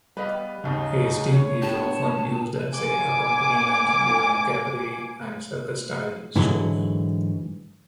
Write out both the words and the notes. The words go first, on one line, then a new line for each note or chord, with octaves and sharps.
A sting is often used as accompaniment during cabaret- and circus-style shows.
G3 B3 B4 D#5 F5
D#2 G#2 C#3 D#4
C#5
B3 D4 G4 A5
G#5 D6
G#2 D3 E3 F#3